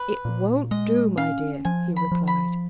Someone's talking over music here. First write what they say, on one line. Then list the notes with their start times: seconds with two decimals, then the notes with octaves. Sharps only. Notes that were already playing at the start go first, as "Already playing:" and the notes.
"It won't do, my dear," he replied.
Already playing: B4
0.25 A#2
0.71 G#3 D#5
1.18 C#4 F5
1.65 F3 G#5
1.96 B5
2.12 F3
2.27 B5